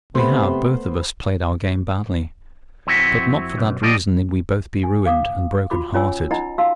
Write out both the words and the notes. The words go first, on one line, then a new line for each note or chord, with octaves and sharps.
We have, both of us, played our game badly, but not for that reason need we both be ruined and broken-hearted.
C3 A3 B3 C5 B5
F2 C4 E4 F#4 E5
F#2 B2
B1 F3 G3 D5 D#5
G#5
F5 D6 D#6
F4 F#4 B5 D6
C#4 F4 C#5 G#5 E6
D#4 F4 D#5 F#5 A#5 B5
F#4 F5 A5 C6 E6